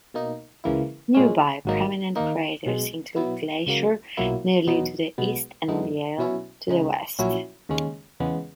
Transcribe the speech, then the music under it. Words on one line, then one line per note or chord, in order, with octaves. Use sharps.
Nearby prominent craters include Glaisher nearly to the east and Lyell to the west.
B2 A#3 D#4
C#2 C#3 E3 A#3 E4
A#2 G#3 C#4
G#1 G#2 F#3 A#3 D#4
D#2 D#3 A#3 D#4
B1 B2 G#3
B2 F#3 B3 E4
C#2 C#3 F#3 A#3
B1 A#2 F#3 A#3 E4
E2 B2 F#3 B3 D#4
B1 B2 G#3 B3
F#2 E3 G#3 B3 D#4
B2 F#3 C#4 E4
C#2 C#3 G#3 D#4
A#1 A#2 F#3 C#4 E4
D#2 C#3 G#3 C#4
E2 C#3 G#3 B3